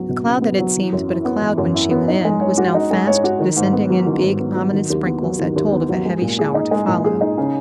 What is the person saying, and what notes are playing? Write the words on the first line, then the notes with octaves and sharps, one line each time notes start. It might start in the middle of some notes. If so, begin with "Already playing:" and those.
The cloud that had seemed but a cloud when she went in, was now fast descending in big ominous sprinkles that told of a heavy shower to follow.
Already playing: C#2 F#3 B3
B2
C#2
B3
F#3
E3
F#2
E4
B3
E3
F#2
E4
B3
D#4
G#3
C#5
F#4
D#4
G#3
C#5
F#4
D#3
G#2
B3
F#3
D#3
G#2
B3
F#3
D#3
D#2
B3
F#3
D#3
D#2
B3
F#3
G#3
A#2
G#4
D#4
G#3
A#2
G#4
D#4
C#3